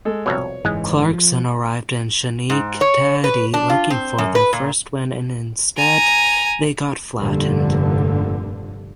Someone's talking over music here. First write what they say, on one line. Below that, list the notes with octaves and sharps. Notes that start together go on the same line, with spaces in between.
Clarkson arrived in Schenectady looking for their first win and instead they got flattened.
G#3 A4
C2 F2 B2 C#5
F#1 G#2 E3 G#3
F3
G#2
C#5
B4
D4
F4
C4
F#2
B4
A#2
G#5 A#5
F1 G2 A#2 D3